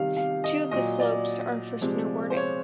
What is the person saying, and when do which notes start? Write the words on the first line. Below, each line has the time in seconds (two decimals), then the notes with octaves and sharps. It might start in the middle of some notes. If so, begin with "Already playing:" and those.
Two of the slopes are for snowboarding.
Already playing: C3 D#3 G3 F5
0.16 F5
0.44 D#5
0.71 A#2 F#3 D#5
1.00 D5
1.81 C3 F3 G#3
2.30 C5
2.36 C#5